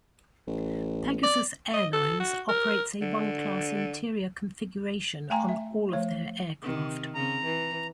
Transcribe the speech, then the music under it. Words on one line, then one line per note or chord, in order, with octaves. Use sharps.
Pegasus Airlines operates a one-class interior configuration on all of their aircraft.
A1
D5
D#5
A4
F#4
A#4
D3
A3 G5 G#5 A#5 C6
E5
F3 A3 C#5
C3 D#3
C#3 C4 A#5
E3